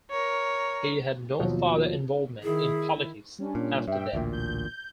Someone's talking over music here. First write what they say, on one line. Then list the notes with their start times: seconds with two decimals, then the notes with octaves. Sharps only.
He had no further involvement in politics after that.
0.10 A#4 C#5
1.39 D#2 B2 F3 F#3
2.43 D#3 E4 G#4
3.39 G3 C#4 D4
3.55 A#2
3.88 G2 E5 G5
4.13 A1 D2 A#2
4.33 G6